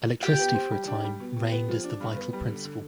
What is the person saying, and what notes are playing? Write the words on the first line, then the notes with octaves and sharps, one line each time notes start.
Electricity for a time, reigned as the vital principle.
F4 G4 G5
B3
C5
G3
D4
G3
B2
B2
B3
F3
D4
G2
B3
G3
D3
D3